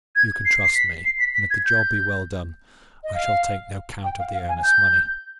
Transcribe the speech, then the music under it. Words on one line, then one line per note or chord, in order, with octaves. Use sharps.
You can trust me, and if the job be well done I shall take no count of the earnest money.
G#6
C7
C7
B6
C7
B6
B6
G#6
G6
D#5
F5
G5
F5
F5
G#5
G6